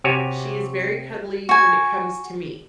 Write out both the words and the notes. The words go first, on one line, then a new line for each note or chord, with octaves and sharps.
She is very cuddly when it comes to me,
C3 F#4 G4 C#5 G#5
F#4 G#5